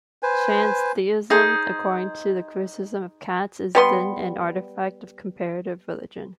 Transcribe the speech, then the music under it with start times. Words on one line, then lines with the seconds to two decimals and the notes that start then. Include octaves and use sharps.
"Transtheism", according to the criticism of Katz, is then an artifact of comparative religion.
0.23 B4 C5 G#5
1.30 D#4 G#4 C5
3.75 G3 B3 C6